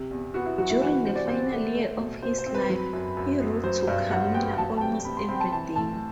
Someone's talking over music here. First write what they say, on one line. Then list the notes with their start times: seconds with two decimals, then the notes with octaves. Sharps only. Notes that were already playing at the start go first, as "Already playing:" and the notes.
During the final year of his life, he wrote to Kamila almost every day.
Already playing: C3
0.11 E2
0.34 B3 F#4
0.46 E4
0.58 F#3 F#4
0.70 E4
0.82 E3 F#4
1.04 C3 C5
1.16 D5
1.26 C4 C5
1.52 A3
1.75 A3
1.99 B2
2.22 B2 C5
2.38 C5
2.46 C4
2.54 B4
2.70 F#3
2.93 F#2
3.17 F#2
3.40 B3
3.64 F#3 C5
3.88 G2
4.11 G2 F#5
4.34 B3 G5
4.58 F#3 A5
4.77 A5
4.81 C3 G5
5.05 C3 B5
5.17 C6
5.29 C4 B5
5.35 G5
5.40 A5
5.52 E3 A5
5.76 A2 A5